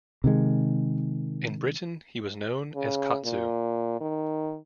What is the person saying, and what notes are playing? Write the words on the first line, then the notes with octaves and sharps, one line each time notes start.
In Britain he was known as "Katsu".
C3 D#3 G#3
C#3
A#2
D#3